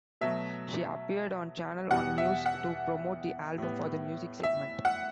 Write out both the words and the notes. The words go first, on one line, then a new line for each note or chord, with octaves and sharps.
She appeared on Channel One News to promote the album for the music segment.
B2 F#3 A3 E5
E2 B2 G3 F#5
E5
F#5
A2 G3 B3
E5
F#5